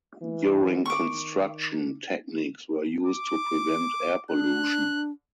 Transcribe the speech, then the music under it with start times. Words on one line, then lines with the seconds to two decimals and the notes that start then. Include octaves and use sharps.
During construction, techniques were used to prevent air pollution.
0.22 E3
0.86 D#3 C#6 D6
3.06 D6
4.31 D4 F#6